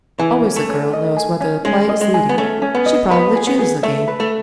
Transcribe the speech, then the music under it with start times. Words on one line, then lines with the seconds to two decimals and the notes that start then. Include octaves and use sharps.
Always the girl knows whether the play is leading: she probably chooses the game.
0.19 E3 G#4
0.45 C#4
0.56 A3
0.69 C#4
0.93 D#5
1.17 G#4
1.41 C#4
1.65 G#3 C#4
1.89 D#5
2.01 G#3
2.14 G#4
2.29 B3
2.38 A3 C#4
2.62 C#4
2.75 B3
2.86 D#5
3.11 B3 B4
3.36 G#4
3.47 B3
3.59 G#4
3.83 A3 E5
4.08 B4
4.20 A3